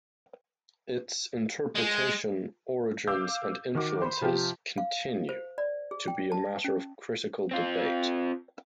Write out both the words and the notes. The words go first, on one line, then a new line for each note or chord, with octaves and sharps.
Its interpretation, origins and influences continue to be a matter of critical debate.
G#3
F5 D6 E6 G6
D#3 F#4 D6
C5 B5
C3 F3 F4 G4
F5
C5
D5
G#4
G5
A5
C#4
C4 F4